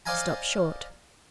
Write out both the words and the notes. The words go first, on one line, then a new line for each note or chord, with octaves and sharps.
He stopped short.
C5 D5 D#5 F5 G#5 A#5